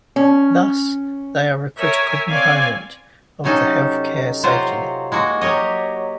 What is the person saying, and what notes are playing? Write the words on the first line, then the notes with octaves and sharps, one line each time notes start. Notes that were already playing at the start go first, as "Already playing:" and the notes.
Thus, they are a critical component of the health care safety net.
C#4
A#4 C#5 E5 G#5
C4 C#5 D5 F5 G#5
C3 F#3 C#4 D#4 A4
C3 F#3 F4 F#4 C5
G#3 A#3 F#4
F#3 G4 A#4 C#5 D#5